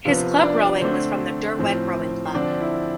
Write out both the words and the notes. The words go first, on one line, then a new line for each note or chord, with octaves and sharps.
His club rowing was from the Derwent Rowing Club.
C3 F3 B3 F4 F5
D4 D5
D3 A3 C4 D4 C5
A2 F3 C4
C5
D3 F3 C4 D4 D5
E4